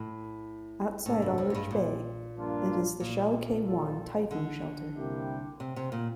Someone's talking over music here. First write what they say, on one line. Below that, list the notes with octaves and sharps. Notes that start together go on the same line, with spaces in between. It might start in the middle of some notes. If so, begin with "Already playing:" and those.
Outside Aldrich Bay, it is the Shau Kei Wan Typhoon Shelter.
Already playing: A2
A2 C3 G3 D4 A4
G2
F2
A2
G2
A#2
G2 F3 A#3 D4 F4
A#2
F3 C4 F4 A4
D3
C3 G3 A#3 E4 G4
C3
C3
A#2